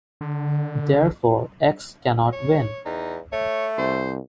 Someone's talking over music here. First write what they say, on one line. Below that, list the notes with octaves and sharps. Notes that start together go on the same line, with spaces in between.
Therefore X cannot win.
D3
C#5
E2 D#4
A3 C#5
C2 C5